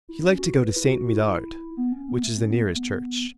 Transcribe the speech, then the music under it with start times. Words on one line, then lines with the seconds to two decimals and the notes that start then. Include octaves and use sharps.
He liked to go to Saint-Medard, which is the nearest church.
0.09 E4
0.23 C#4
0.39 F#4
0.54 B4
0.76 E4
0.85 F#4
1.15 E4
1.77 B3
1.92 C#4
2.08 B3
2.23 A3
2.38 C#4
2.51 B3
2.62 A3
2.75 B3